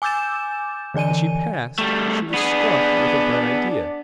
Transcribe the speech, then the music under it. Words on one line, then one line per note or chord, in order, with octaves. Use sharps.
As she passed, she was struck with a bright idea.
G#5 D6 E6 G6 A6 E7
D3 E3 D5 G#5 D#7
G3 A3
B3 D4 G#4